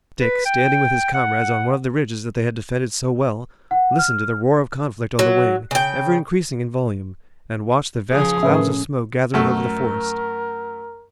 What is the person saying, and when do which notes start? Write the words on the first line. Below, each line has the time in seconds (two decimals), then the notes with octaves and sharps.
Dick, standing with his comrades on one of the ridges that they had defended so well, listened to the roar of conflict on the wing, ever increasing in volume, and watched the vast clouds of smoke gathering over the forest.
0.20 B4
0.46 G5
1.14 F#5
3.71 F#5
3.99 F6
5.19 F#3
5.71 C#3 G5
8.12 C#3 F3 G#4
8.43 A2 C#4 A#4 B4 E5
9.34 F#2 A3 A#4